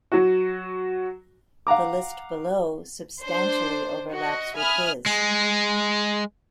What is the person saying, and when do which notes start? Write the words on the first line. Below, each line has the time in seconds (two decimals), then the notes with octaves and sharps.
The list below substantially overlaps with his.
0.12 F#3 F#4
1.67 F5 F#5 A#5 D6
3.22 D4 C5
4.12 F#4 D#5
4.56 E5 G#5 B5 D#6 F6
5.06 G#3